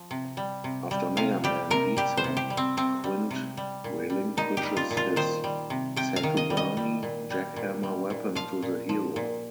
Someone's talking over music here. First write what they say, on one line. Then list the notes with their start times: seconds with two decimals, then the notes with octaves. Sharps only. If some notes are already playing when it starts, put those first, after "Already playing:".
After Mega Man beats him, Quint relinquishes his "Sakugarne" jackhammer weapon to the hero.
Already playing: F3
0.11 C3
0.37 G3
0.64 C3
0.91 G3
1.17 C3 F5
1.44 G3 G4
1.70 C3 A#4
1.97 G3 G4
2.17 C5
2.24 C3
2.37 G4
2.50 G3
2.57 C4
2.77 C3 C4
3.04 G3
3.31 C3
3.57 G3
3.84 A#2
4.10 G3
4.37 A#2 D#4
4.57 G4
4.63 G3
4.77 F4
4.91 A#2
4.97 F4
5.16 D#3 C5
5.44 G3
5.70 C3
5.96 C3 G5
6.16 F5
6.23 D#3
6.37 D#5
6.50 G3
6.57 D#5
6.77 G3
7.03 A#2
7.30 G3
7.56 A#2
7.83 G3
8.10 A#2
8.35 F3 F5
8.62 A#2
8.89 F3
9.16 A#2